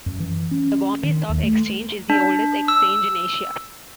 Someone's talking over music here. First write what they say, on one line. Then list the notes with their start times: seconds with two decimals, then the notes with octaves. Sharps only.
The Bombay Stock Exchange is the oldest exchange in Asia.
0.06 F#2
0.20 E3
0.51 C#4
1.03 D#3
1.29 D#2
1.43 A3
2.10 D4
2.68 E6